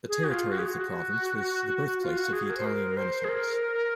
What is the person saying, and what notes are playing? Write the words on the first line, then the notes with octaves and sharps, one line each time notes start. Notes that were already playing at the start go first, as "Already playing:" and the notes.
The territory of the province was the birthplace of the Italian Renaissance.
G#4
F#4
F4
F#4
G#4
F#4
F4
F#4
G#4
A#4
C5
A#4
C5
G#4
A#4